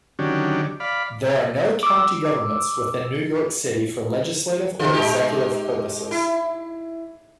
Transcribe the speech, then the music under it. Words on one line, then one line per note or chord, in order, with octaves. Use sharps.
There are no county governments within New York City for legislative or executive purposes.
D3 D#3 F#3 C#4 D4 G4
D5 F5 B5
D6 E6
D3 F4
G#3 D#4 G4
E4